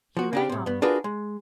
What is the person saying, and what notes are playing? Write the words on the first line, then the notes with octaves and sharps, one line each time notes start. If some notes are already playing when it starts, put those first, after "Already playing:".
He rang off.
F3 F#4
C#3 D4 G4
A2 C3
G2 B3
D4 F4 F#4 G#4 A#4 B4
G#3